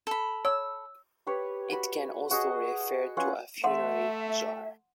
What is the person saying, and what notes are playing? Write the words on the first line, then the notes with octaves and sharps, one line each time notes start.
It can also refer to a funerary jar.
A4 B5
C#5 E6
G4 B4 C#5
F#4 B5
F#4 G#4 D#5
C#4 F4 B4 F#5
A3 E5 F#5 C6